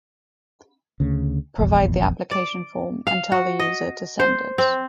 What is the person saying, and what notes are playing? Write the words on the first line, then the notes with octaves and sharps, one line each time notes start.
Provide the application form, and tell the user to send it.
D2 C#3
F1 A#1 E2
D5
F5
F#4
D#5
C5
C4